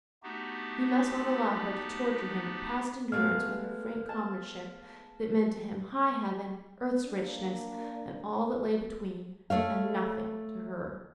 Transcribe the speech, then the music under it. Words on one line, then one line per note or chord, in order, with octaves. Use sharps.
He must not allow her to torture him past endurance with her frank comradeship that meant to him high heaven, earth's richness, and all that lay between, and NOTHING to her.
A3 B3 D4 D#4 F#4 G4
G#3 A3 B3 F5
A5
A#3 D4
A3 C#5 F5